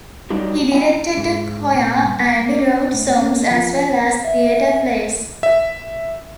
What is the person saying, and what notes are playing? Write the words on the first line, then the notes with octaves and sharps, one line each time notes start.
He directed a choir and wrote songs as well as theater plays.
F#3 G3 D4 D#4 G4
E4 G5 G#5
G#2
A#2
G2
A#3
A#3
C#4
A2
C#4
F3
E5
E5